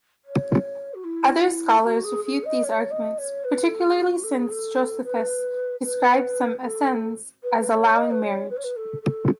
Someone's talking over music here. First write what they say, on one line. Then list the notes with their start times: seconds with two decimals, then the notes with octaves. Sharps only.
Other scholars refute these arguments-particularly since Josephus describes some Essenes as allowing marriage.
0.24 C#5
0.94 F#4
1.04 E4
1.84 F#4
2.04 G#4
2.24 G#4
2.44 D#5
2.63 C#5
2.90 D#5
3.18 C#5
3.44 B4
3.64 A4
3.84 G#4
4.03 F#4
4.23 A4
4.37 G#4
4.50 A4
5.03 B4
5.83 B4
6.63 A4
7.43 B4
7.59 B4
7.69 C#5
7.96 D#5
8.10 B4
8.22 C#5
8.50 B4
8.56 C#5
8.63 B4
8.76 A4
9.02 A4